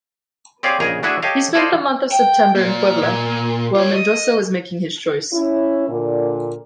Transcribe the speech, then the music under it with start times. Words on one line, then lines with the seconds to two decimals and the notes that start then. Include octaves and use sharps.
He spent the month of September in Puebla, while Mendoza was making his choice.
0.63 C4 G4 G#4 C#5 D5 F5
0.80 A#1 C#3 G#4 A#4 D#5 A#5
1.03 A3 D4 E4 F#4 G#4 E5
1.23 G4 A4 C#5 D#5 F5
1.55 F4 A4 C5 D5 D#5
2.11 G5
2.55 A#3 D5
3.02 A#2
3.75 F4 C#5
3.94 D#5
5.32 C#4 E4
5.88 A#2 D3